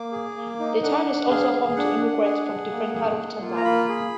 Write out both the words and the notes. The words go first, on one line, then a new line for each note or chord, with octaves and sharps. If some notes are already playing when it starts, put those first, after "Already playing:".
The town is also home to immigrants from different parts of Tanzania.
Already playing: A#3 D6
G#4
A#3
D#4
D4 F#5
D4
G#4 F5
G#4
D4 F#5
D4
G#4
G#4
A#3
G#4
A#3
F4
A#5
A#3 B5
G#4